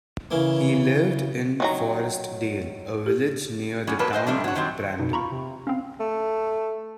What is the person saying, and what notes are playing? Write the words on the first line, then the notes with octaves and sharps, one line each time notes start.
He lived in Forest Dale, a village near the town of Brandon.
C#3 E3 A#3
D#3 F#3 A#5
G4
F#3 G3 C#4
F2 F#3 A#3 B4 A5
B4 C5 D#5
F2 C3 G3 A3 D4
F#3 F#4
D#3 F#3 G3 C4
B2 D#4
F4 A#5 B5 C#6
C3
C4 C#4 F5
A3